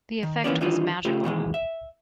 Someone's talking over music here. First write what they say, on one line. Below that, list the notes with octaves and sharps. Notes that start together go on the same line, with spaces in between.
The effect was magical.
D#3
D#3 E3 A#3 B3 C#4 D5
D#3 E3 G3 D4 D#4 F4
C#3 A3 F4 G4
B2 D#3 E3 G#3
E5